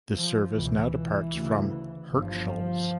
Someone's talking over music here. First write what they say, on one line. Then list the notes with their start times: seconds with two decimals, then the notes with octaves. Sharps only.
This service now departs from Hirtshals.
0.15 F3
0.54 C#2 B2 E3
1.33 D2 C#3
2.11 G1 G2 F3